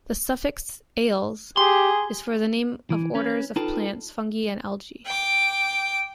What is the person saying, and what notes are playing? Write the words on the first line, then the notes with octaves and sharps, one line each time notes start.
The suffix "-ales" is for the name of orders of plants, fungi, and algae.
G4 G#4 C6
E3
C#4 B4
D#4 F4 A4 B4 G5 A5
G5 D6